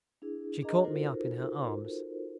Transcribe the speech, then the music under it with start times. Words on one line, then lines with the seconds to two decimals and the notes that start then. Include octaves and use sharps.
She caught me up in her arms.
0.22 D4 E4 G#4
0.62 D4 G#4 A#4 D#5 A#5
0.84 D#4 F4 F#4 A4 A#4 C5